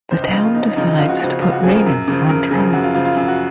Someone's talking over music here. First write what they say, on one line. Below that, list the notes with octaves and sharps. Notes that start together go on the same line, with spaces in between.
The town decides to put Rayner on trial.
C#2 C5
D#4
C#3 F3 C4
F4
C#2 D#4
D#4
C#3 F3 C4 D#4
D#4
C#2 F4
F#4
C#3 F3 C4 F#4
C#2 F4
F#4
C#3 F3 C4 G#4
A#4
F#2
C#3 F3
F#2 A#4
C#3 F3 G#4
F#2 F#4
F4
C#3 F3 F4
F4
F#2
F#4